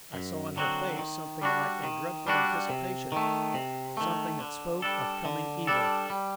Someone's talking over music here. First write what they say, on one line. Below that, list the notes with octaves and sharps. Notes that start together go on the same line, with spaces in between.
I saw in her face something like a dreadful anticipation--something that spoke of coming evil.
F#2
D3 F#3 C4 F#4
D#3
G3 D4 F#4
D#3
G3 D4 F#4
C3
D#3 A3
C3
D#3 A3
D3
G3 D4 A4
D3
G3 D4 A4
G3